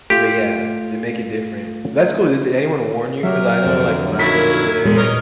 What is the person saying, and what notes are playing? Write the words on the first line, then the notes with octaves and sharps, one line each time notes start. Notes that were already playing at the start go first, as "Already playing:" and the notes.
but, yeah, they make it different. That's cool. Did anyone warn you? 'Cause I know, like, when I go over there,
A3 F4 G4
F#3 G4 A#4 E5
F2 D3 D4
F#3 D#4 E4 F#4 A#4 B6
E2 A#2 G3 G#3
D#4 A#4 B4 C#5